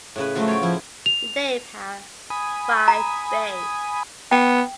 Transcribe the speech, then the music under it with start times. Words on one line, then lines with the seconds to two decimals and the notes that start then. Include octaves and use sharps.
The nave has five bays.
0.16 A2 C#3 B4
0.35 F3 F#3 A3 F4
0.48 C#5 F5 G5
0.63 F3 E4
1.06 F7
2.30 G#5 B5 D#6
2.88 A#5
4.31 B3 G5